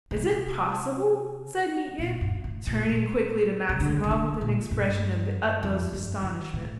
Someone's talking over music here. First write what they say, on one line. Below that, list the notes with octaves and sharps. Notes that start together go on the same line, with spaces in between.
"Is it possible?" said Mitya, turning quickly to Maximov with an expression of the utmost astonishment.
A#2
C3
A#2
G2
A2
A#2
A#2
C3
D3
C3
D3
A#2
G2
F2
G2
D#3
A2